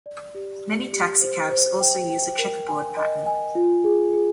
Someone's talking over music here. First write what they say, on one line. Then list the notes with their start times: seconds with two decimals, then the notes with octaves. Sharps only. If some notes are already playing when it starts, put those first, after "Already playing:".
Many taxicabs also use a checkerboard pattern.
0.06 D5
0.35 G4
0.64 G4
0.93 G4
1.22 C5
1.51 C5
1.81 G5
2.10 G5
2.39 A#4
2.68 G#5
2.97 D#5
3.26 G#5
3.55 F4
3.84 G#4
4.13 G#4